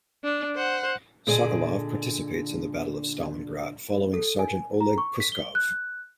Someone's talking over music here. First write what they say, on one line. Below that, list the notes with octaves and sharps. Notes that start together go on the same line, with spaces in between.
Sokolov participates in The Battle of Stalingrad following Sergeant Oleg Puskov.
D4
C5 F#5
A#2 D3 G#4 D5 D#5
A4
G#5
A#5
C#6
B6
G7
F#6